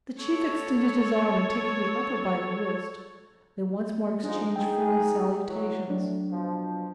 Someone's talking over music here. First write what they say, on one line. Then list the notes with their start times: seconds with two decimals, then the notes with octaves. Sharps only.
The chief extended his arm and taking the other by the wrist, they once more exchanged friendly salutations.
0.22 A4 C#5
4.23 F3 G3 G#3 D4 D#4
4.56 D#4 G#4 G5
5.46 E3 F#3
5.88 A2 F#3 D4
6.31 B2 F3